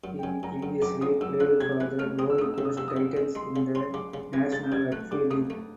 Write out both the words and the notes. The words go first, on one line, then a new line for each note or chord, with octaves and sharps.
He previously played for the Gold Coast Titans in the National Rugby League.
F#2
G5
F#2 G#5
F#2 A#5
F#2
F#2 D6
F3 D#6
F#2 E6
F3 F#6
C3 G#6
E3 F#6
A3 F6
C4 D#6
E6
A3 D#6
C3 E6
D#6
C3 E6
D#6
C3
G#3
G#3 C6
C#3
C#4 C6
C#3 D6
C#3
E3 G#6
C#3 A6
G6
G2 G#6
A3 F#6
G2 D6
A3 D#6
A3